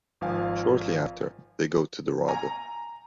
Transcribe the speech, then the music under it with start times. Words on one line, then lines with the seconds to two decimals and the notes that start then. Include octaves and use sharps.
Shortly after, they go to Dorado.
0.21 G#1 F3 F5 G#5
2.28 G#5 A#5